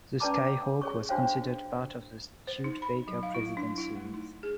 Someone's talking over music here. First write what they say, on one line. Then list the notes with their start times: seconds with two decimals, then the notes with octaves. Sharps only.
The Sky Hawk was considered part of the Studebaker President series.
0.20 C#4 B4 D5 A5 A#5 D6
0.81 G#4 C#5 C#6
1.09 D4 F#4 C5 C#5 F5 G5
2.47 C5
2.64 D#4
2.82 B5
3.08 F#3
3.23 F5
3.35 E4
3.57 D4
3.78 E4
3.95 A3
4.14 D#4
4.43 G#4